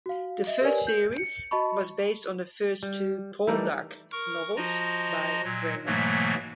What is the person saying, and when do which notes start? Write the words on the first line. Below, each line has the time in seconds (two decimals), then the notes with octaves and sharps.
The first series was based on the first two "Poldark" novels by Graham.
0.06 F#4 F5
0.47 D#5 E5
0.61 G4 A#4 B4 C#5 D5 G#5
0.87 G6
1.18 C#7
1.51 F#4 D#5 A5 B5 C#6
2.83 G3
3.47 E3 G3 A3 D#4 A#4 D5
4.12 A#4 C#6 F6
4.56 F3 F4 F#4 D#5 A#5
5.44 A#2 F#3
5.86 G#2 B2 E3 F#3 A3 A#3